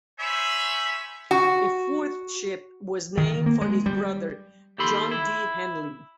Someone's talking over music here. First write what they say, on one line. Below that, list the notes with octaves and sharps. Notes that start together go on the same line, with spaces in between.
A fourth ship was named for his brother, John D. Henley.
C5 C#5 E5 G#5 B5
F#4
D#3
A#3
G#3
G3
D#2 G4 A4 B5 C6
E4